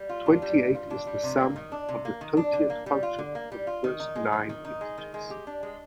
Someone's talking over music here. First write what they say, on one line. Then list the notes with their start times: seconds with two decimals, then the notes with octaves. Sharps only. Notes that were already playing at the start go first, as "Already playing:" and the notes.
Twenty-eight is the sum of the totient function for the first nine integers.
Already playing: G3
0.09 F4
0.26 D4
0.42 G3
0.58 G3
0.75 F4
0.90 D4
1.07 G3
1.23 C3
1.40 A#3
1.56 D#3
1.72 D4
1.89 C3
2.05 A#3
2.21 D#3
2.37 D4
2.53 D3
2.70 A#3
2.86 G3
3.03 F4
3.19 D3
3.35 A#3
3.52 G3
3.67 F4
3.84 D#3
4.00 D#4
4.16 G#3
4.33 D#3
4.49 D#3
4.65 D#4
4.81 G#3
4.98 D#3
5.14 G#3
5.30 G4
5.47 D4
5.63 G#3